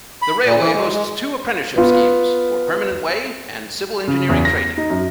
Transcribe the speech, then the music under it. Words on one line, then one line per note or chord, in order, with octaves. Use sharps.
The railway hosts two apprenticeship schemes for Permanent Way and Civil Engineering training.
B5
A#2
E3
G#3
G#3
B3 F4
C#3
E2
A#6
A#6
D#4
F#2